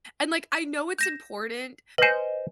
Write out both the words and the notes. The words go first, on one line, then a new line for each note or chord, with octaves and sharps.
and, like, I know it's important,
G6 A#6 E7
B4 C5 D#5 G#5